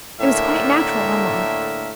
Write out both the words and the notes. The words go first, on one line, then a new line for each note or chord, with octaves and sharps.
It was quite natural, Armand.
A2 D3 A3 A#3 A#4 E5